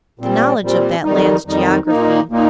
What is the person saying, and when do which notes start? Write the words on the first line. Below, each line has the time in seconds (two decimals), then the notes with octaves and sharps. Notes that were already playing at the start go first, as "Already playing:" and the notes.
The knowledge of that land's geography . . .
0.19 A#2 G3 C4
0.61 A#2 G3 C4
1.04 F2 D#3 G3 D#4
1.45 F2 D#3 G3 D#4
1.87 A#2 A#3 D#4
2.29 A#2 A#3 D#4